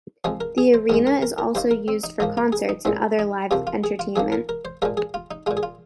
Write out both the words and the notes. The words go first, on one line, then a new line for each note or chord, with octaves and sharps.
The arena is also used for concerts and other live entertainment.
F2 F3 G#3 G#4
A#4
G#4
C5
G#2 D#3 G#3 A#4
A#4
A#4
A#4
D#2 D#3 A#3 C5
A#4
C4
D#4
G#2 F3 A#3 D#4
F4
G#4
D#4
A#2 G#3 C4
D#4
C2 C3 F3 A#3 F4
F4
G#4
F4
F2 F3 A#3 G#4
A#4
A#4
C5
A#2 F3 G#3 A#4
G#4
F4
D#4
A#2 G#3 F4
G#4
F4